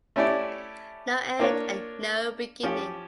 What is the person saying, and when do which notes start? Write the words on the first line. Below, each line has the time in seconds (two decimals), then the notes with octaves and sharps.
No end and no beginning.
0.16 A3 C#4 E4 G4 D5
1.40 A#3 D4 F4 C#5
2.63 F3 C#4 G4 C#5